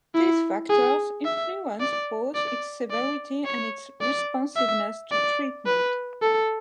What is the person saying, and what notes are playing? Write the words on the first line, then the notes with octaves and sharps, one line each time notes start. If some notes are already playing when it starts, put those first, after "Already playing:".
These factors influence both its severity and its responsiveness to treatment.
E4
G#4
E5
D5
D5
D5
C#5
D5
E5
D5
B4
A4